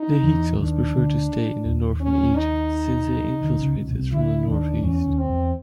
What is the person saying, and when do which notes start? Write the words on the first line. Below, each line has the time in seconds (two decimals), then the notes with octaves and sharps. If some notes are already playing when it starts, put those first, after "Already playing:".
The Hyksos preferred to stay in northern Egypt since they infiltrated from the north-east.
Already playing: D#4
0.23 E2 E3
0.54 D3
0.59 D#2 D#3 D4
0.94 D2 D3
1.65 D#2 D#3
2.00 C#4
2.35 D#4
3.41 D2 D3
3.59 C#2 C#3
3.76 C#2 C#3
3.89 B2
3.94 C2 C3
4.11 D2 D3 E4
4.47 D#2 D#3 D4
4.82 E2 E3 C#4
5.06 D#2 D#3
5.18 C4
5.29 E2 E3